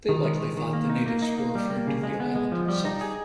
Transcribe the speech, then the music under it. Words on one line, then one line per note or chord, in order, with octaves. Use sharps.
They likely thought the natives were referring to the island itself.
D#3
G#3
D#3
D#3
A#3
D#4
A#3
D#4
A#3
G3
A#3
C#3
G#3
B3
G#3
F3
G3
D#4
G#4